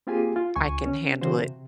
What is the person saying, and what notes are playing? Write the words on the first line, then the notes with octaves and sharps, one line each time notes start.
I can handle it.
A#3 C4 F4 G4 G#4 G#5
F4
C#2 G#5 C#6
C#4
C#3 E3 F#4 C5
C3